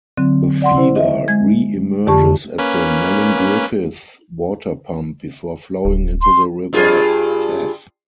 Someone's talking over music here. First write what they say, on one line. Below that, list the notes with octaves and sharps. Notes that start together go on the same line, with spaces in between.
The feeder reemerges at the Melingriffith Water Pump before flowing into the River Taff.
D3 F#3 C4
D5 F#5 C6
E4 C5
D#5 E5
G#3 G#6
F2 D3 G4 A5 C#6
A#3 C#4 B4
D1
C6
G2 F4 G#4